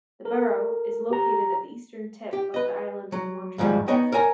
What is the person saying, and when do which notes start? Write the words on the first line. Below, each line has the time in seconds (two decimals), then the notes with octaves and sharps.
The borough is located at the eastern tip of the Island of Montreal.
0.25 A4 A#4
1.11 G4 A#5
2.33 G4
2.54 B4 D#5
3.12 F#3
3.58 D#2 G#2 F3 G3
3.88 B3 D#4 C#5 D#5 G5
4.12 A#4 C#5 G#5 A#5